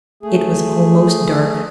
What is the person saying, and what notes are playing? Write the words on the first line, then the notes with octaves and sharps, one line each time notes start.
It was almost dark.
A3 G#4